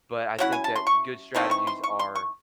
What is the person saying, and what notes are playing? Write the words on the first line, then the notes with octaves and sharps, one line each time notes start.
but I think that good strategies are,
F#3 C#4 E4 F#5
G#5
A5
C6
C#6
E3 A3 C4 D#4
C#6
C6
C#6
C6
C#6